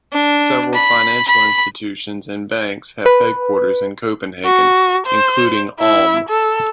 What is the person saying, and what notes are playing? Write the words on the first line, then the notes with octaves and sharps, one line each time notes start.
Several financial institutions and banks have headquarters in Copenhagen, including Alm.
D4
B5
B5
B4
F#4
C5
E4
A4